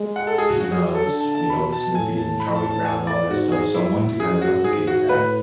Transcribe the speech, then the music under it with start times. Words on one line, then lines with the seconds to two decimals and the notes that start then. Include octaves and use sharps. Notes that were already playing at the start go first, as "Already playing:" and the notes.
Peanuts, you know, with Snoopy and Charlie Brown and all that stuff, so I wanted to kind of replicate that,
Already playing: G#3
0.16 F#5
0.27 A4
0.38 G#4
0.49 F#4
0.60 F#3 F#4
0.72 G#4
0.95 A4
1.05 D3
1.20 A5
1.35 A5
1.50 B2 B5
1.72 A5
1.95 A2 G#5
2.17 A5
2.40 B5
2.55 A5
2.71 A5
2.85 G#5
3.07 D5
3.29 G#2 F#4
3.52 G#4
3.74 E2 E4
4.20 F#2 G#4
4.42 F#4
4.64 G#2 G#4
4.87 F#4
5.09 A2 B4